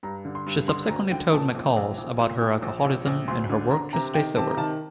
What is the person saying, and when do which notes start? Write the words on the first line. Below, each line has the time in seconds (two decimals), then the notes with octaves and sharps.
She subsequently told "McCall's" about her alcoholism and her work to stay sober.
0.03 G2 A#5
0.25 D3
0.35 C6
0.46 G2
0.68 D3 C6
0.89 D2 A#5
1.11 D3 G5
1.33 A#2 A5
1.55 A#1
1.77 A#1
1.98 A#1
2.19 A#2
2.42 A#2
2.62 A#1
2.85 A#1
3.06 A#1
3.28 D2 C6
3.49 D3
3.71 D3 A#5
3.93 C3 A#5
4.14 D#3 G5
4.36 C3 A5
4.49 A#5
4.57 D#3 A5